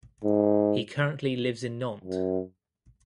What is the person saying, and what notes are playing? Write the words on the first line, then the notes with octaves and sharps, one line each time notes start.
He currently lives in Nantes.
G#2
F#2